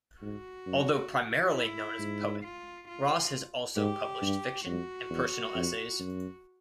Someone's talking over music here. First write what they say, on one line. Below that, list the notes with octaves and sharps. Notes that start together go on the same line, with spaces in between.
Although primarily known as a poet, Ross has also published fiction and personal essays.
G#2 F#4
F#2
E4
G#2
F4
F4
G#2 G4
G2
F2 F#4
E2
F2
F#2